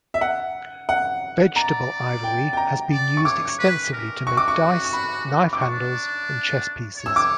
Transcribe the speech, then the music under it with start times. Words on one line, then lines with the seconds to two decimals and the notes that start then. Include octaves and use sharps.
Vegetable ivory has been used extensively to make dice, knife handles, and chess pieces.
0.14 E5
0.21 F#5
0.89 F#5
1.56 D5 A#5
2.24 G5
2.53 G5
2.57 A#5
2.91 D5
3.17 C#6
3.24 C#5 D6
3.58 B4
3.92 A#4
4.26 F#4 C#6
4.37 D6
4.48 C#6
4.85 C#6
4.93 B5
5.53 D6
5.61 D4 C#6
6.96 C#5
7.06 E6
7.16 D6